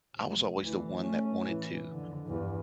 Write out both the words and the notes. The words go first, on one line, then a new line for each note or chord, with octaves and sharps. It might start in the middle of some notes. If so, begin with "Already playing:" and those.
I was always the one that wanted to
F1
D2 E3
A3 C#4
A2 E3
F2 D3
E2 G2